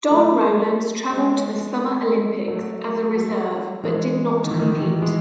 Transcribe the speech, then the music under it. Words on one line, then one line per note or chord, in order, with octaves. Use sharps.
Don Rowlands travelled to the Summer Olympics as a reserve butdid not compete.
F#3 A3
G#3 B3
F#3 A3
F#3 A3
E3 G#3
D#3
E3
D#3
E3
D#3
E3
E3 G#3